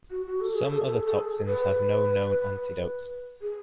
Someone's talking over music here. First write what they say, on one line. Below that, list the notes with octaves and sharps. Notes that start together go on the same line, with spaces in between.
Some other toxins have no known antidote.
F#4
F#4
A4
G#4
A4
G#4
A4
G#4
A4
G#4
A4
B4
G#4